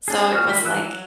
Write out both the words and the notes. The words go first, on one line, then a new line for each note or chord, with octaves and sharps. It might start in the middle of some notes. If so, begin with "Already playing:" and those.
so it was, like
C4 D4 G#4
F#4 F6
D#3 G3 A3 F4 B5
E3 E6 F#6
F#3